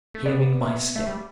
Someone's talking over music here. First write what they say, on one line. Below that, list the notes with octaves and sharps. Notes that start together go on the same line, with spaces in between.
Hearing my step!
A3
B3 D5
E5
A3 E5
G3